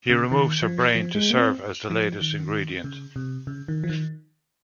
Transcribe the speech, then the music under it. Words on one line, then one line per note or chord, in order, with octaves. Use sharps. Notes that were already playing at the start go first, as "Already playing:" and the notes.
He removes her brain to serve as the latest ingredient.
C#3
D#3
F3
F3
G#3
A#3
C4
F3
D#3
C#3
C3
C#3
D#3
F3
D#3